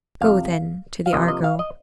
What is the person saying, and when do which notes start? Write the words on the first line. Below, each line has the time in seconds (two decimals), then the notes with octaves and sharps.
Go, then, to the Argo.
0.21 F2 C3 F3 F5
1.06 F5
1.13 C3 F3 A#3 D#5
1.28 D#5
1.44 F5
1.59 D#5